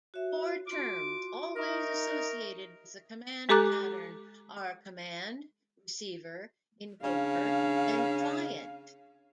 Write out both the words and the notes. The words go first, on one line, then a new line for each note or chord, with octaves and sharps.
Four terms always associated with the command pattern are "command", "receiver", "invoker" and "client".
F#4 C#5 E5
F4 F#4 C6 D6
D#4 A#4 E5 C#6 D#6
G#3 G4 A4 A#5 D6 F#6
C#3 D4 F5